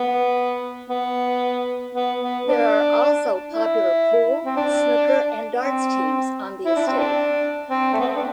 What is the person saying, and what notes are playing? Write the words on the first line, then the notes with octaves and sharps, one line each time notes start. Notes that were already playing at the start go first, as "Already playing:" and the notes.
There are also popular pool, snooker and darts teams on the estate.
Already playing: B3
B3
B3
B3
D4
E4
C4
D4
C4
E4
D4
C4
D4
C4
A3
B3
C4
D4